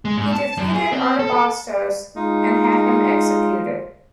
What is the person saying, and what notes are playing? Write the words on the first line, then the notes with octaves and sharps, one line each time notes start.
He defeated Artabasdos and had him executed.
G#3
G#2
A5
F#2
G#4
C4
A4
A4
G#3 D#4 F4